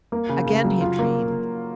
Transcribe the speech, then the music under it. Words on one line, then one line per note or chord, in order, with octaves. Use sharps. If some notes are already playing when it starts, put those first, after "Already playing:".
Again he dreamed.
A#3
C#3
C#3
F#3
F4
A#3